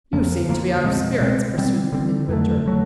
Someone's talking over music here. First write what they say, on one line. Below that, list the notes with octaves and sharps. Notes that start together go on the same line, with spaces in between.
"You seem to be out of spirits?" pursued Midwinter.
F2 D3 F3 A#3
F2 D3 F3 A#3
B2 G#3 C4
B2 G#3 C4
D3 G3 C4
D3 G3 C4
F2 D3 F#3 A3
D3 F#3 A3